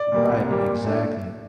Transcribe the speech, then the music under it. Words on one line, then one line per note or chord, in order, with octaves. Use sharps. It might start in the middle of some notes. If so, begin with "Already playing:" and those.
Right, exactly.
Already playing: D5
A#2 G3 A#3
C2
A#2 G3 A#3
A#2
A3 D4